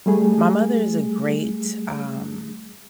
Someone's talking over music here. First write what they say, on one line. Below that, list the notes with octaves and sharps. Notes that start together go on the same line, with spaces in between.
my mother is a great, um,
G3 A3 G#4